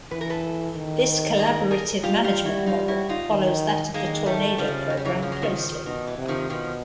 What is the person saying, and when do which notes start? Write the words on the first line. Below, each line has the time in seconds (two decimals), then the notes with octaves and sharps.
This collaborative management model follows that of the Tornado programme closely.
0.11 E3 B4
0.21 A#4
0.30 A4 B4
0.76 D#3
1.39 G#4 A#4
1.71 G#4 A#4
2.03 G3 F4 G4
2.24 F4 G4
2.45 E4 F#4
2.66 D#4 F4
2.88 E4 F#4
3.09 D#4 F4
3.30 D#3
3.94 D#3 G#3 A#3
4.26 G3 A3
4.58 C#3 F3 G3
4.90 F#3
4.97 G3
5.05 E3 F#3
5.23 F3
5.32 F#3
5.42 D#3 F3
5.85 B2 D#3
6.07 E3
6.18 C3
6.28 D#3 F3
6.49 B2 D#3 F3